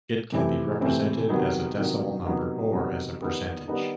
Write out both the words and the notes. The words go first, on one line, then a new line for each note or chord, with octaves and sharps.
It can be represented as a decimal number or as a percentage.
C3 E3 A3 C4 E4
C3 E3 A3 C4 E4
C3 D#3 F#3 B3 D#4
C3 D#3 F#3 B3 D#4
C3 D#3 F#3 B3 D#4
C3 D#3 F#3 B3 D#4
D#3 G3 B3 D#4
D#3 G3 B3 D#4